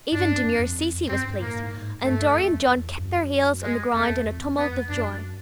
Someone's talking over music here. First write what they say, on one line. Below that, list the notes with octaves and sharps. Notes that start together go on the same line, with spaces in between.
Even demure Cecy was pleased, and Dorry and John kicked their heels on the ground in a tumult of joy.
G2 D4
F2
F2
F#2 C4
G2
A2 A#3
G#2
G#2
G2 A3
F2
F2
E2
F#2
G#3
F2 A3
E2
F2
B3
F#2 D4